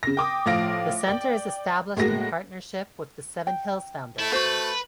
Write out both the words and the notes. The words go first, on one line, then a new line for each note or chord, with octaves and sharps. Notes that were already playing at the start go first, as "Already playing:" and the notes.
The Centre is established in partnership with the Seven Hills Foundation.
C#3 A#6
G5 D6 D#6
A2 F3 F5 A#6 D7
D5 G5
A2 G#3 A#3 F#4 A#6
G5
A3 E4 A5
F#4 B4 C5